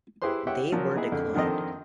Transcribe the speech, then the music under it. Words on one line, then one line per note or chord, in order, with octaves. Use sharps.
They were declined.
E4 G4 G#4 B4 C5 C6
G4 C#5 E5 F#5 G5
A#2 F3 F#3 A#3
B3 D#4 E4 G#4
F2 D3
D3 D#3 F3 C4 D#5